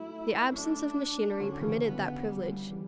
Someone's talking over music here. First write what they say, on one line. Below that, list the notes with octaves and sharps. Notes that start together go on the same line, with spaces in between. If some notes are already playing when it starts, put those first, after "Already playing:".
The absence of machinery permitted that privilege.
Already playing: F#3 A3 E4
F#3 A3 D4
D3 F#3 C#4
C#3 E3
B3
G3
E3 G3